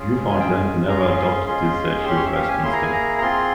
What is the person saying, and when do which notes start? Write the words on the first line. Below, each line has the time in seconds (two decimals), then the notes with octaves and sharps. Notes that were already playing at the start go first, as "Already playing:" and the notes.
Newfoundland never adopted the Statute of Westminster.
Already playing: C#4 F4 G#4
0.29 G#3 C#4 F4 G#4 G#5
0.40 G5
0.50 G#5
0.88 C#4 F4 G#4 A#5
1.02 C6
1.18 C6
1.46 G#3 C#4 F4 G#4 C6
2.05 C#4 G4
2.16 C#5
2.25 E5
2.35 F5
2.49 G#5
2.63 A#3 E4 G#4 C6
2.73 A#5
2.82 G#5
2.93 A#5
3.18 A#5
3.22 C4 F4 G#4 C6